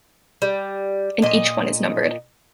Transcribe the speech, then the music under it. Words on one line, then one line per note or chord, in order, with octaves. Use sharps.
And each one is numbered.
G3
A#2 D#5